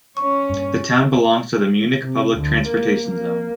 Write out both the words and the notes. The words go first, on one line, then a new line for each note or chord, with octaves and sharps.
The town belongs to the Munich public transportation zone.
C#4 C#5 C#6
G2 A#2
C3
D2
A#3
A#3